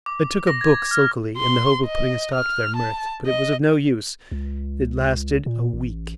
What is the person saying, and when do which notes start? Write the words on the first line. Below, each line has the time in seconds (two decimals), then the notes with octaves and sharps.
I took a book sulkily, in the hope of putting a stop to their mirth, but it was of no use: it lasted a week.
0.06 D6
0.47 A#6
0.61 G#6
0.91 F6
1.37 C6
1.86 D#5
2.34 F6
2.76 A5
3.26 D#5
4.31 C#2
5.46 A#2
5.73 A1